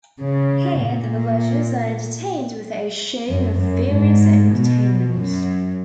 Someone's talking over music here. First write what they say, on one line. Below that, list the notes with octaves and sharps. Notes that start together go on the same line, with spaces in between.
Here the villagers are entertained with a show of various entertainments.
C#3
A#2
F#2
F#2
G#2
B2
F#2